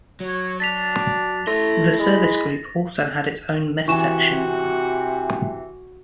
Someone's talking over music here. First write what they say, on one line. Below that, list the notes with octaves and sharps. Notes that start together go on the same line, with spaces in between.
The service group also had its own mess section.
F#3 C#5
D4 A6 B6 F7
A3 E4 C6 A#6
G#3 B5
C3 E3 F#4 G#5 C#6 E7